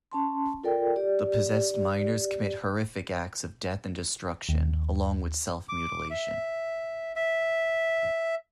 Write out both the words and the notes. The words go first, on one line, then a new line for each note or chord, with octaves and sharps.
The possessed miners commit horrific acts of death and destruction, along with self-mutilation.
C#4 A5 C6
F4 A4 A#4 D5 G5
G4 D5
D#2
D6
E5
E5